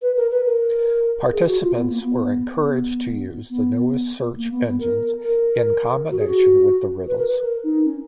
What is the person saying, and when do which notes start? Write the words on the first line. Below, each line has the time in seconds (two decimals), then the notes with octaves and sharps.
Participants were encouraged to use the newest search engines in combination with the riddles.
0.02 B4
0.17 A#4
0.31 B4
0.46 A#4
1.32 G#4
1.47 F#4
1.61 F4
1.76 B3
1.89 A#3
2.02 B3
2.63 B3
3.50 B3
4.37 A#3
4.51 B3
4.66 B3
4.80 A#4
5.23 A#4
6.11 F#4
6.19 G#4
6.27 F#4
7.08 B4
7.18 A#4
7.28 B4
7.41 A#4
7.64 D#4
7.85 C#4